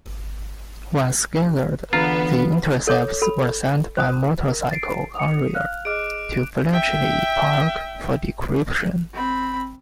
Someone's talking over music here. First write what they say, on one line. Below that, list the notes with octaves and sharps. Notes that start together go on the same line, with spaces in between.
Once gathered, the intercepts were sent by motorcycle courier to Bletchley Park, for decryption.
E2 D3 B3 F4 A#5
A4 C#5 D6 D#6
A4 B5
C5 D#6
A#4
A6 C7 D7
D#6 C#7 F7
F5 F6 F#6
G#4 D#5 D6 F6 F#6 D7
E5 G5
C4 B5